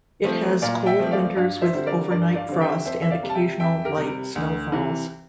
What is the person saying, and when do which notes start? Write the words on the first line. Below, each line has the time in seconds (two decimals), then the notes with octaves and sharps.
It has cold winters with overnight frost and occasional light snow falls.
0.24 F3 A3 C4
0.62 A#2 D5 F5
0.86 E5 G5
0.99 F3 A3 C4
1.11 D5 F5
1.36 G2 D5 F5
1.62 C5 E5
1.74 D3 G3 C4
1.86 A#4 D5
2.11 G2 A#4 D5
2.35 D5 F5
2.49 D3 G3 C4
2.61 E5 G5
2.85 F2 C5 E5
3.02 E5
3.10 D5 F5
3.23 C3 G3
3.29 A5
3.35 E5 G5
3.60 F2 E5 G5
3.85 G4 A#4
3.97 C3 G3
4.36 D2
4.72 C3 E3